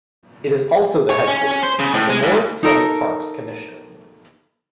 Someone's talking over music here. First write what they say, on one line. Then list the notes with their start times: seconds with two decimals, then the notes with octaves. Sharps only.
It is also the headquarters of the Morris County Parks Commission.
1.10 C#5
1.28 C#4
1.63 C5
1.79 C#3
1.94 A2
2.09 G#3
2.23 G#2
2.63 D#4 A4 A#4 D#5